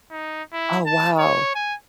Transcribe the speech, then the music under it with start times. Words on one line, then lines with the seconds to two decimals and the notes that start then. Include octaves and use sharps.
Oh, wow.
0.11 D#4
0.53 E4
0.86 A5
1.19 C#5
1.55 G#5